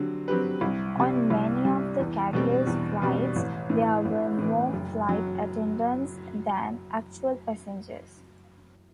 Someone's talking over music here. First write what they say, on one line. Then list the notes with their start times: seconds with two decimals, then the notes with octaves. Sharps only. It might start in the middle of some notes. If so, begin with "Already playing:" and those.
On many of the carrier's flights, there were more flight attendants than actual passengers.
Already playing: D3 F#3 C4 G4
0.28 F#3 C4 G4 B4
0.61 C2
0.96 C3 G3
1.30 C2
1.65 C3 G3
1.99 E2
2.33 B2 G3 C4
2.67 E2
3.02 B2 G3 C4
3.36 A1
3.70 A2 E3
4.05 A1
4.39 A2 E3
4.73 F#1
5.09 F#3